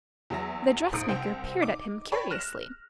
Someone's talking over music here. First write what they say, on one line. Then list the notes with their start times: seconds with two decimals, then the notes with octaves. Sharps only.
The dressmaker peered at him curiously.
0.30 E2 F#3 E5 E6 A#6
0.93 A#1 G#2 D#6 C#7 D7
1.09 C2 C5 G5
1.62 D#4 D6
2.12 C#5 D5 G5 A5 B5 C#6
2.31 F6 F#6 A#6 E7